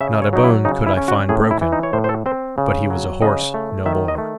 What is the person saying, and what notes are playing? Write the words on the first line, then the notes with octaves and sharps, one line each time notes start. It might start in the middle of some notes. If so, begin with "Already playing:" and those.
Not a bone could I find broken, but he was a horse no more.
C#3 E5
C#5
F#3 D#4
E4
C#3 D#4
E4
C#4
F#4
A2 G#4
E4
E3
D#4
C#5
A2 C5
C5
A4
C4 C5
C#3
F#3
C#3 D#5
A3
D#3 E5
D#5
A3